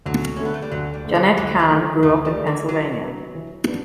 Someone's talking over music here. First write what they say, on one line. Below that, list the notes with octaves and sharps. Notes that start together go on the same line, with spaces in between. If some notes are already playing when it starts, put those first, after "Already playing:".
Jenette Kahn grew up in Pennsylvania.
D2 F#3
D3 A3 C#4
B3
A3
G3
D2 F#3
G3
D3 A3
E3
D2 E3
F#3
D3 A3
D2 A3
G3
D3 A3
E3
E3 F#3
B3 D4
E3
B3 D4